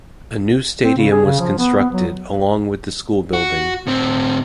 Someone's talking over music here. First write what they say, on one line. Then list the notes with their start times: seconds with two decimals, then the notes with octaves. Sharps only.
A new stadium was constructed along with the school building.
0.84 C4
0.97 C#3
1.12 G#4
1.25 C#3
1.40 F3
1.58 B3
1.80 B3
1.93 F#3
3.33 F#4
3.87 A2 C4